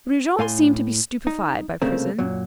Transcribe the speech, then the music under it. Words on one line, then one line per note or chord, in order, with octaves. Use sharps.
Brujon seemed to be stupefied by prison.
A2 F5 G#5 C6
D#4
C2 C#3 A3 A#3 C4
F#2 A#2 F#3